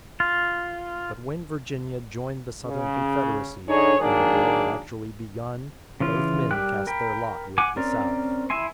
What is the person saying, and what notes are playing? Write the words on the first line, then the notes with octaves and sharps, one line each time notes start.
But when Virginia joined the Southern Confederacy, and the war had actually begun, both men cast their lot with the South.
F4
C#3
D3 D4 D#4 G#4 C#5
D#3 F#3 G#3 A#3 D4 G#4
C#3 E3 F4
G3 G4 A#4 G5 F#6
A#4 G5 B5
F#5 G#5 D6
C4 C#4 A#4 D5
E4 E5 G#5 C6